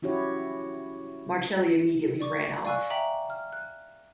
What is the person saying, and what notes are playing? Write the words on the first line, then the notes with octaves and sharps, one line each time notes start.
Marcelli immediately ran off.
C#4 E4 F#4 G4 C#5
D5 C#6 D6
D5 F5 G#5 C#6 E6 F#6
E5 G5 A#5 D6 B6 F#7
F6
F#6